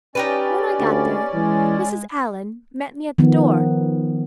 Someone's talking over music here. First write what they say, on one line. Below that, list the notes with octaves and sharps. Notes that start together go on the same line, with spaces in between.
When I got there Mrs. Allan met me at the door.
C#4 D#4 G4 B4 D5
D2
E3 G#3
D#3 F3 B3